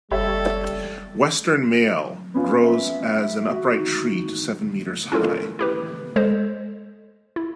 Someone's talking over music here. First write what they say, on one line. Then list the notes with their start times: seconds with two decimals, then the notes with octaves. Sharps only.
Western myall grows as an upright tree to seven metres high.
0.11 F#1 G3 G4 A4 C#5 E5
2.34 B3 C#4 F4
2.63 E5
3.50 F#4
3.72 D#4
5.12 C#4 E4 F4 A4 A#4
5.59 E4 G4 B4
6.16 G#3 A4 C5 D#5
7.36 E4